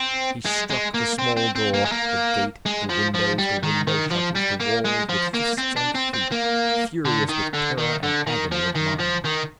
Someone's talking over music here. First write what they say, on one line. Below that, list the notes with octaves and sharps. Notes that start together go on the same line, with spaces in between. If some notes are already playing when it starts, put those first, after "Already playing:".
He struck the small door, the gate, the windows, the window-shutters, the walls, with fists and feet, furious with terror and agony of mind.
Already playing: C4
G#3
G#3
A#3
C4
C4
C4
A#3
G#3
A#3
G#3
F3
F3
G3
D#3
D#3
F3
G3
A#3
G#3
F3
A#3
C4
D4
C4
C4
A#3
D3
D#3
D3
D#3
D3
D#3
F3
D#3
F3
D#3